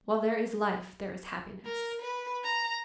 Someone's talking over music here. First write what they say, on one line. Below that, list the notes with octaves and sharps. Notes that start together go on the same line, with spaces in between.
While there is life there is happiness.
A#4
B4
A#5